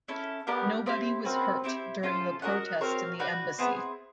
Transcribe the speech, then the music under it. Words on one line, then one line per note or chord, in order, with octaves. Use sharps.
Nobody was hurt during the protests in the embassy.
C#4 E4 A4
B3 D4 G4 A#4
C4 E4 G4
A#3 C4 C#4 F#4 B4
C4 E4 G4
C#4 F4 A4 C5
C#4 F#4 A#4 D#5 F#5
C4 F#4 A#4 C#5 F5
F#4 B4 D5 G5
B3 C4 E4 G#4